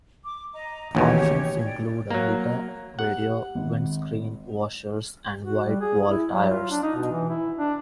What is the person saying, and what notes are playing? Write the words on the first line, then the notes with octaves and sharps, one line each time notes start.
Options included a heater, radio, windscreen washers and white-wall tyres.
D6
D#5 A#5
A1 D#2 B2 G4 G#4 C#5
D5 G5
F#3 A#3 A#5
G4 F#5
G#1
F#4
G3
G#4
E4
F#3
F4
D4
D#4
B2
E3
E4
D4